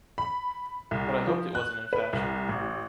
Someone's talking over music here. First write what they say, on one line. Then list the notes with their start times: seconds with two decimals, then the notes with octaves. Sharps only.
But I hoped it wasn’t in fashion.
0.18 B5
0.91 C2
1.27 F3
1.55 F#6
1.93 B4
2.13 C2
2.49 A1